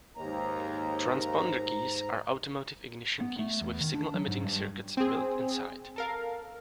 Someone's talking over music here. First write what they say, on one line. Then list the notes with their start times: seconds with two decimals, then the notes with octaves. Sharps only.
Transponder keys are automotive ignition keys with signal-emitting circuits built inside.
0.16 D#2 G#2 A#5
3.21 B3
3.39 A3
3.61 E2
3.80 D#3
3.94 D4
4.14 F#3
4.27 G#2
4.44 G2
4.97 C4 G#4
5.96 A4 A#4 F5